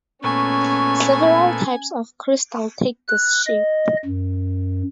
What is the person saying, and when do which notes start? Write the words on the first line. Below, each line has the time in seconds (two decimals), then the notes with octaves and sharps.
Several types of crystal take this shape.
0.24 A#2 A3 B3 C#4 G#5 C#6
3.08 F#6
3.47 D#5
4.05 F#2